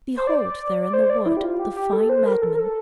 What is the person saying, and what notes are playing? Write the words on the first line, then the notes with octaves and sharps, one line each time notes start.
Behold there in the wood the fine madman!
C5
D5
C5
D5
E4
G4
F4
G4
G4
A4
C5
A#4
A4
A#4
A4